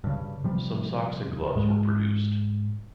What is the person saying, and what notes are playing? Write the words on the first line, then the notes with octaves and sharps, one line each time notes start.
Some socks and gloves were produced.
G2 C#3
C3 F3 G3
G#2 G#3